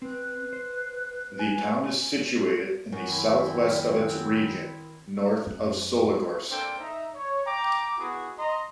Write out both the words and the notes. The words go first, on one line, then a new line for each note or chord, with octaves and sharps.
The town is situated in the south-west of its Region, north of Soligorsk.
C4 B4
C5
G#5
F#2
D#3 C4 E4
F#2
A#3 C4 D4 A4 C5 G5
D#4 E5 A#5
C#5
G5 A#5 D6
B3 E4 F#4 G#4
D#5 A#5 C6